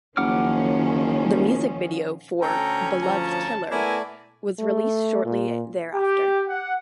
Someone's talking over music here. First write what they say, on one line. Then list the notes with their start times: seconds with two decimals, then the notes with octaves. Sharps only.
The music video for "Beloved Killer" was released shortly thereafter.
0.17 F#1 D#3 F3 C#4 F#5 D6 F6
2.42 D2 C#4 A4 G5 A#5
3.02 F3 A5 A#5
3.71 A3 B3 E4 A#4 D5 G#5
4.59 A3
5.25 A#2
5.93 G4
6.49 F#5